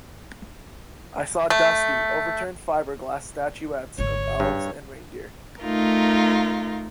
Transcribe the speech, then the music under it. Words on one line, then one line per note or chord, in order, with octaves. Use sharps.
I saw dusty, overturned fiberglass statuettes of elves and reindeer.
A3
G#1 D3 C#5
G2
A3 D#4 F4 A#4